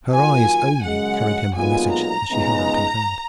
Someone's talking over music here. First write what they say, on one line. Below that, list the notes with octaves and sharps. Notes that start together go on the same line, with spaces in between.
Her eyes only carried him her message as she held out her hand.
D#3 F#3 A#3 F4 G#5
F#2 C#3 G#3 F#5
B1 A#2 G#3 B3 F4 G#5
A#5
C#2 C#3 G#3 B3 D#4